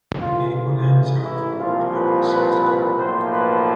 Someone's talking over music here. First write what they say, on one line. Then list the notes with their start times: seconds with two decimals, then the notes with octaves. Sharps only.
The gable ends are of crude local sandstone.
0.20 A1 G#2 E3 F4
0.54 F4
1.24 E4
1.58 C2 A#2 F3 F4
1.94 B4
2.28 B4
2.63 B4
2.97 B1 A2 F3 A#3 C5
3.32 B4